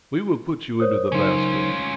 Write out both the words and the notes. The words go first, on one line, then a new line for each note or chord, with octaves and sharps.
We will put you into the basket!
A#4 C5 C#5 D#6
C#3 F#3 C#4 D#4 F4